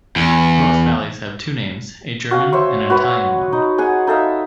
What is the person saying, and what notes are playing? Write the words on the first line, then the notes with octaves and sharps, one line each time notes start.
Most valleys have two names, a German and an Italian one.
E2
F#4 F5 G#5
C5 C#5 E5 C#6
F#4 B4 C#5 F#5
D#4
G#4 F#5 G#5
D#4 A4 E5 F5